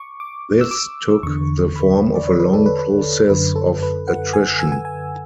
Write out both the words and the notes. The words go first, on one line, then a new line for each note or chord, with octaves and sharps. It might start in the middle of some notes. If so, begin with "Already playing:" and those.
This took the form of a long process of attrition.
Already playing: C#6 D6
D6
E6
D6
E2 D3 C#6
B5
D5
C#5
B4
A4
B4
B4
F#2 D3 B4
A4
B4
F#5
G#5
E6
G#5
G#5
G#5